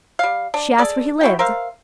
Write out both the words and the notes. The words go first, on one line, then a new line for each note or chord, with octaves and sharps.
She asked where he lived.
G3 F5
D4
G#4 A4 D5
E4 F#4 G5
A#4 C5 E5 F5